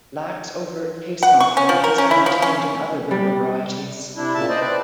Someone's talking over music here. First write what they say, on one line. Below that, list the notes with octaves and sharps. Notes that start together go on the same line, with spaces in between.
Lacks overt case-marking that has been retained in other Berber varieties.
F#5
C#6
C#4
F3
A#4
C#4
E4
F3
C#4
G3
C3 D4 E4
A#2 C#3 E5 A5
C5 D5 D#5
C4 B4 D5